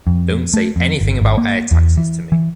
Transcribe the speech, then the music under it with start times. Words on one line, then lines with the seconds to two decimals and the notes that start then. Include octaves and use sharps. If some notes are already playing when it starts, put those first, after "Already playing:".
Don’t say anything about air taxis to me!
0.07 F2
0.54 A3
0.76 F2
1.01 G1
1.21 G#1
1.38 A#3
1.71 E2
1.97 E3
2.32 E3